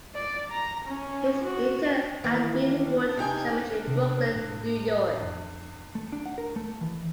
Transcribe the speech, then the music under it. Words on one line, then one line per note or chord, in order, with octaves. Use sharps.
He is interred at Green-Wood Cemetery, Brooklyn, New York.
D5
A#5
C#4
F#4
D#3 E3 A#3
C3 D#4 G5 G#5
C3
A2
F2
A3
D4
F#5
A#4
A3
E3